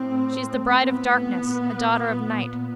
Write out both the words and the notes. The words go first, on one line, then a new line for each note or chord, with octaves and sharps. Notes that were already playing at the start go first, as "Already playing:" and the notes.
She is the bride of darkness, a daughter of night.
Already playing: A2 C4
B3
A#2